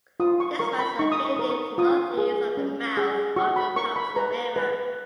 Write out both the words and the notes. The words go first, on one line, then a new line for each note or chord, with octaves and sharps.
This mouth is located northeast of the mouth of the Thompson River.
F4 D#6
C#6
A#4 C#6
B5
D#4 C#6
D#6
C#6
A#4 D#6
C#6
F4 D#6
G#4
C#4
G#4
F#4 C#6
B5
A#4 C#6
B5
B4 A#5
B4